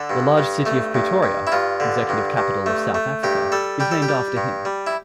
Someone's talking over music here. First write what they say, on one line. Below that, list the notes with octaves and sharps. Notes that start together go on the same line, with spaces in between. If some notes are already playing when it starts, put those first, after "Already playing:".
The large city of Pretoria, executive capital of South Africa, is named after him.
Already playing: D3 A4
G2
G2
A3
G2
G2
E4
G2 F4
D3
G2
G2
A3
A3
G2 G4
G3 A4
G3 G4
A4
G4
G3
G2
G3
E4